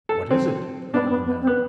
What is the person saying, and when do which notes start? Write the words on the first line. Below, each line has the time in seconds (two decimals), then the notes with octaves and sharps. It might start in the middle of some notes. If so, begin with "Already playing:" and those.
"What is it?" cried the men.
0.09 A4
0.31 C4
0.93 B3 D4
1.05 C4
1.10 B3
1.26 B3
1.41 C4
1.47 B3